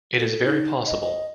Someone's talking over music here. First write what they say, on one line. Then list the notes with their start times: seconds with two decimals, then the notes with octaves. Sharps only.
It is very possible.
0.20 A4
0.45 D#4
0.87 D#5
1.01 D#5